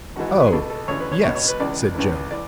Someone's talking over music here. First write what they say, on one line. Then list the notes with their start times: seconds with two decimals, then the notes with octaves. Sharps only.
"Oh, yes," said Joe.
0.16 G#1 G#2 E3 F#4
0.28 F#4
0.40 B4
0.47 G#4
0.52 C#2 B2 A4
0.70 A4
0.88 D2 C#3 E3 C#5
1.00 B4
1.12 C#5
1.23 C#2 C#5
1.28 B2
1.35 C#5
1.48 B4
1.59 C#2 C#3 E3 D5
1.95 C#2 C#3 E3
2.31 E3 D5